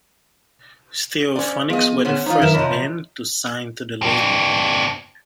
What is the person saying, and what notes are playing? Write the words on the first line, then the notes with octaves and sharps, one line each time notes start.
Stereophonics were the first band to sign to the label.
C#4 C5 D5
F3 B3 G#4 D#5
D3 C#4 C5 C#5 F#5
E3 D#4 F4 C5 A#5
F#2 D#3 E4 A#4 B4 E5
C3 F3 C#5 D#5 E5 B5
C4 D4